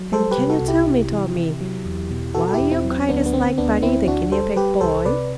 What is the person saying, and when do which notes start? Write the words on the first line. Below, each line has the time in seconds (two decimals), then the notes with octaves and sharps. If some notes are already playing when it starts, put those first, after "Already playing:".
"And can you tell me, Tommie, why your kite is like Buddy, the guinea pig boy?"
Already playing: F#3
0.12 G3 A4 C5
0.31 G4 B4
0.38 C3
0.50 F#4 A4
0.62 C2
0.68 E4 G4
0.87 C3
1.12 E3
1.36 C3
1.61 F#3
1.85 E2
2.10 B2
2.34 B2 F#4 A4
2.48 A4
2.53 E4 G4
2.59 E2
2.71 C4 E4
2.84 F#3
2.91 C4
3.09 D2 B3 D4
3.26 B3
3.33 D3 C4
3.58 D2 B3 D4
3.82 D2 C4 E4
4.07 D2 D4 F#4
4.32 G3 A4 C5
4.56 G3 G4 B4
4.81 C2 A4 C5
5.05 C3 B4 D5